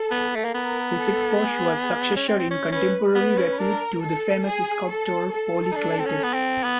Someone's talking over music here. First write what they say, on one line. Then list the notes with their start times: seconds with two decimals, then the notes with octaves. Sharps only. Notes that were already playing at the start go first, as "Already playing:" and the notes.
Lysippos was successor in contemporary repute to the famous sculptor Polykleitos.
Already playing: A4
0.11 B3
0.35 A3
0.45 A#3
0.54 B3 A#4
0.98 A4
1.41 G#4
2.17 C#4
2.28 C4
2.39 C4
2.51 C#4
2.72 C#4 B4
3.15 B3 B4
3.38 C#4
3.59 D4 A#4
4.02 A4
4.46 G#4
4.90 A4
5.33 A4
5.72 D#4
5.76 D4
5.99 C4
6.06 C#4
6.24 B3
6.34 C4
6.64 B3